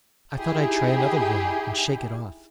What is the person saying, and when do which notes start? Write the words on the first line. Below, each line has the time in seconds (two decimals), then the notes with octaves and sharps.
I thought I'd try another room, and shake it off.
0.38 D#4 E4 G4 G#4